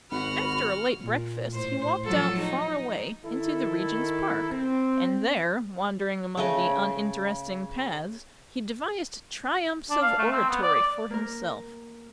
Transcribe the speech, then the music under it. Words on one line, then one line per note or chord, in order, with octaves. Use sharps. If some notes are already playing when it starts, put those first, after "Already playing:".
After a late breakfast he walked out far away, into the Regent's Park, and there, wandering among the uninteresting paths, he devised triumphs of oratory for himself.
G#1 F#4 F#5 B5 F6
A#2
A2 C5
F3 F#3 A4
D#4
D#3 E4 A4
C4
C#3 A3 D#5
D4
F5
A3
C4
B3
D5
D5
A#3 A#4